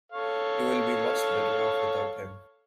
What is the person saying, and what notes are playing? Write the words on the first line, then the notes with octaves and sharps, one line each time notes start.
You will be much better off without him.
A4 C#5 F5